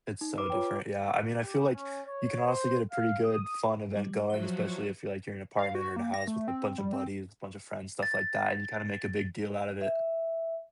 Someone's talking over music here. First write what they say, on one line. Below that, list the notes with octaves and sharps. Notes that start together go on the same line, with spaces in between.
It's so different, yeah. I mean, I feel like you can honestly get a pretty good, fun event going, especially if you're like you're in an apartment or in a house with a bunch of buddies, a bunch of friends, stuff like that, and you kinda make a big deal out of it.
D#4
B4 D6
F4 C#5 G5
G4
C#4
C#5
C5
F5
D#6
G3
F3 F#3 F#4 C5 E5
F5
F#4
A#3
A#6
A3
C4
G3
C4
A6
E5